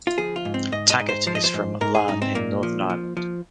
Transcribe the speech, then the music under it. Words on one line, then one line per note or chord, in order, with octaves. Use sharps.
Taggart is from Larne in Northern Ireland.
F4
F3 G#4
F4
G#2
C4
G#2 D#5
D#5
G#2
C5
F3 C5
D#5
C5
G#2
G#2 A#4
G#4
G#2 D#4
C4
A#2 A#3
F3
F3
F3